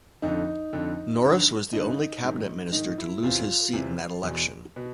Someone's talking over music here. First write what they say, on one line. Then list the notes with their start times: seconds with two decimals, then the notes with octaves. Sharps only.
Norris was the only cabinet minister to lose his seat in that election.
0.22 F2 D3 D#4
0.73 F2 D3
1.22 G2 D3
1.73 G2 D3 D#4
2.23 G#2 D#3
2.72 G#2 D#3 D#4
2.98 E4
3.23 E2 C3 E3 F4
3.73 E2 C3 E3
4.23 E2 B2
4.76 B2